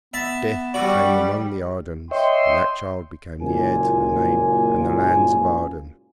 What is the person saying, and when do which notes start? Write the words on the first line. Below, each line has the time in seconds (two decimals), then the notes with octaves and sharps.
Death came among the Ardens and that child became the heir to the name and the lands of Arden.
0.14 B3 E5 A5
0.74 G3 F#4 D5
2.11 C#5 D#5 E5 G5 C6
3.41 F#1 C#2 A#2 A#3 G#5